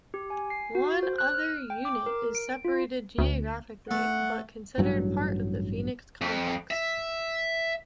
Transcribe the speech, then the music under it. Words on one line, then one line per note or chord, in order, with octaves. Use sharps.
One other unit is separated geographically but considered part of the Phoenix Complex.
G4
G#5
C7
F#4
C5
F#6
F6
G5
D6
A#4
D7
F4
D2
A3 F#5
A1 G2 F#3
F2
E5